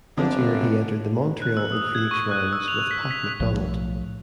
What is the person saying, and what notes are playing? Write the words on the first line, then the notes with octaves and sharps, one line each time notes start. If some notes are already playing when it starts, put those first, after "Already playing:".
That year he entered the Montreal and Phoenix rounds with Pat MacDonald.
G1 D3 C4 D4
F#6
E6
D#6
G#6
C#6
F#6
E6
F7
B6
B6
B1 A2 F3